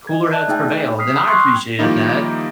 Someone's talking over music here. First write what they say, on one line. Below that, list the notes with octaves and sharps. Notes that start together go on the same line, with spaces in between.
cooler heads prevailed, and I appreciated that,
D#5 G#6
D5 E5 A5 F#6
A3 D#4 G#4 E5 G5
D#6 F6 B6 C7
G5 B5 D#6 E6
C6 C#6 F6 F#6 G#6 C7
D#3 F3 G3 A#3 D#4 E4